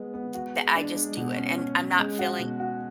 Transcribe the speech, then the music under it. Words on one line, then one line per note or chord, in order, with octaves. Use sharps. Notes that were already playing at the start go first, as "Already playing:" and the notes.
th the I just do it and I'm not feeling
Already playing: G#3 B3
B3
F#4
G#3
D4
G#3
B2
C#4
C#4
C#4
G#3
F#4
B2
F#4